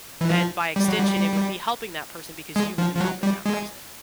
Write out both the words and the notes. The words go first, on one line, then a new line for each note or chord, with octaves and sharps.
and by extension it would be helping that person because you would be helping that person.
E3
F3
G3
F#3
G3
G#3
F3
F3
F#3
G3
G#3